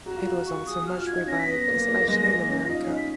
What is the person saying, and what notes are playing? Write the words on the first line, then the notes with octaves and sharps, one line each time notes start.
It was also much revived, especially in America.
F#4 A#5
F4
F#4 A#5
F4 C#6
F#4
G#4 D#6
F#4
F6
F4
G#6
D#4
C#4 A#6
B6
B3
A#6
A#3
A#3
A#3
G#3
A#3
C#4
F4
D#4
C#4
D#4
B6